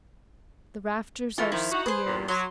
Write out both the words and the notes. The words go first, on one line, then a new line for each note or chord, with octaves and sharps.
The rafters are spears.
E3 A3 F4
D#3 F3 E4
D#4 F#4
G#4 B4 C5
E2 G2 A#2
F#3 C6